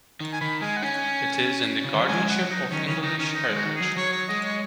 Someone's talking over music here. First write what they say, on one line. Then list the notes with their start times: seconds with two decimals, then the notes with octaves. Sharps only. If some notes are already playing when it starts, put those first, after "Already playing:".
It is in the guardianship of English Heritage.
0.21 D#3
0.33 G#5
0.41 D#3 B5
0.62 G#3 G#5
0.77 F#5
0.82 C#4 G#5
1.85 C#3
1.93 D#3
2.01 F#3
2.08 G#3 G#5
2.29 F#5
2.40 F#3
2.51 D#4
2.71 D#3 C#4
2.87 C#3 C#4
3.03 D#3 D#4
3.18 D#3 C#4
3.34 D#4
3.50 G#3
3.56 F#4
3.66 D#3
3.76 G#4
3.81 F#3
3.97 F#3 C#5
4.12 C#5
4.29 G#3 D#5
4.45 C#5